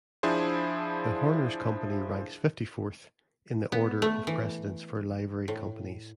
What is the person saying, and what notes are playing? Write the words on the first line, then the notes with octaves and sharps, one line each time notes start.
The Horners' Company ranks fifty-fourth in the order of precedence for Livery Companies.
F3 D4 E4 G#4 C5
B3
A3
E3
A2